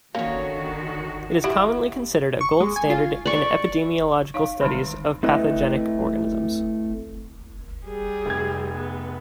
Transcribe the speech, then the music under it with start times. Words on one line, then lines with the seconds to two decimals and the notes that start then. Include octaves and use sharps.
It is commonly considered a gold standard in epidemiological studies of pathogenic organisms.
0.15 D3 D#3 A#3 C#4 F#4 C#5
1.44 E3 E4 F#4 G4
2.41 C#6
2.61 G#3
2.76 G#5
2.90 F4
3.26 D5 C#6
4.34 D#4 C#5 F5
4.61 D3 D#3 G3 G#3 C4 D#4
5.23 A3 C4 E4 B4 D#5
7.87 G3 G#4
8.25 F1 G#6
8.77 B3